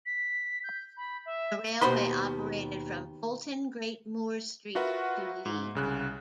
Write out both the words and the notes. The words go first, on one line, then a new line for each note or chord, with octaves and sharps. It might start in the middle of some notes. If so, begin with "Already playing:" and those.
The railway operated from Bolton Great Moor Street to Leigh.
B6
G6
B5
E5
D#2 B2 C5 B5 C6
F4 F#4 A#4 B4 E5 F#5
G#2
C2 C#3 F#6